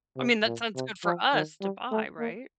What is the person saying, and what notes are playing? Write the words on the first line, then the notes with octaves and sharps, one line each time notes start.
I mean, that sounds good for us to buy, right?
C3
A#2
C3
F3
D#3
G3
A3
A#3